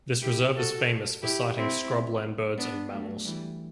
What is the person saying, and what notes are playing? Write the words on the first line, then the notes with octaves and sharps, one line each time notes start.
This reserve is famous for sighting scrub land birds and mammals.
E4 G4
F#4 A4
E4 G4
C4 E4
B3 D4
F#3 A3
E3 G3